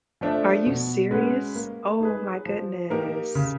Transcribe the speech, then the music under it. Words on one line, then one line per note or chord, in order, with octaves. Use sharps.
Are you serious? Oh, my goodness.
F3 A3 D4
B2
G#3 C#4 F#4 B4
A#3
D#4 G#4 B4
F3
A#3 D#4 G4 A#4
C#3